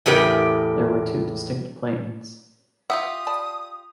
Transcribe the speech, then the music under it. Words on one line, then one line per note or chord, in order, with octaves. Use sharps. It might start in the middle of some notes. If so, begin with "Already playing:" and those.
There were two distinct planes.
E2 A2 C#3 G4 A#4
F4 G4 E5 F#5 D#6
D5 A5 B5